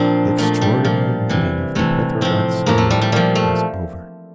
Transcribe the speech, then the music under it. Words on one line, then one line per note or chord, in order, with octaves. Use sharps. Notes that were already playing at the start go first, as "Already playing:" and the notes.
The extraordinary meeting of the Petrograd Soviet was over.
Already playing: A#2 F3 C4 D4
A#2 F3 A3
G3
A#2 F3
C3 E3
C3 E3 A3
A2 F3 C4
A2 F3 A#3
A3
G3
G3
A#2 F3 G3
A3